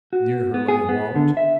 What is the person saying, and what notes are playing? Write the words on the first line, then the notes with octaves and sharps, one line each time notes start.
Near her lay a wallet.
F#4
B3
G#4
B3
D3
E5